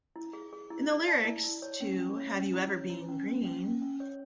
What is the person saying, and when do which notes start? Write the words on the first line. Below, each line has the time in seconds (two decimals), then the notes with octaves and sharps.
In the lyrics to Have You Ever Bean Green?
0.16 E4
0.33 G#4
0.53 G#4
0.70 E4
0.89 D5
1.08 A5
1.25 E4
1.44 E4
1.62 C#5
1.80 C#4
1.99 C#4
2.17 C#5
2.35 C#4
2.54 E4
2.72 C#5
2.90 E4
3.09 C#4
3.26 C#4
3.45 C#4
3.64 C#4
3.82 C#4
4.00 C#5